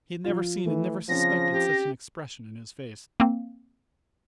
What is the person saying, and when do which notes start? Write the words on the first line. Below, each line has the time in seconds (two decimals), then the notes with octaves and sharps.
He had never seen and never suspected such an expression in his face.
0.24 F3 F4
0.65 E3 A3
1.09 C#3 F3 C4 C#4 A#6
1.52 G4
3.20 A#3 C4